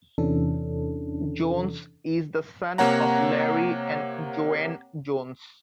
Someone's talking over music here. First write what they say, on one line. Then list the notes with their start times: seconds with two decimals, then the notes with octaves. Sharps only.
Jones is the son of Larry and Joanne Jones.
0.18 E2 C3 E3 C#4 D4 A4
2.78 C3 A#3 C#5 F#5 A#5